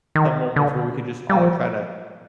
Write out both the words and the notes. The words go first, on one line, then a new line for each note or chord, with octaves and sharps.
some moments where we could just all try to
D#3
D3
G3
F3